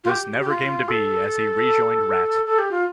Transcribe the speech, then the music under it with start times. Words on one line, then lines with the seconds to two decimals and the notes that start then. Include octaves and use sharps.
This never came to be, as he rejoined Ratt.
0.04 F4
0.09 G4
0.40 G4
0.49 F4
0.88 A4
2.46 A4
2.58 G4
2.71 F4